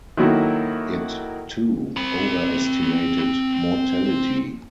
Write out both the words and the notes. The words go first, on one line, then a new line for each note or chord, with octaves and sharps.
It, too, overestimated mortality.
D#3 F#3 A#3 E4 F#4 A4
C4 B5